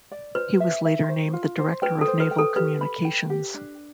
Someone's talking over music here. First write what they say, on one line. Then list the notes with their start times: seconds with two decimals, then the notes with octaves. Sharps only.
He was later named the Director of Naval Communications.
0.11 D5
0.35 B4 C5
0.60 E5
0.85 E5
1.09 C5
1.33 F4
1.59 C5
1.82 B4 G5
2.01 A4
2.08 C5
2.20 B4
2.31 G5
2.38 A4
2.56 G4 B4
2.81 B5
3.05 G5
3.30 G4
3.54 D4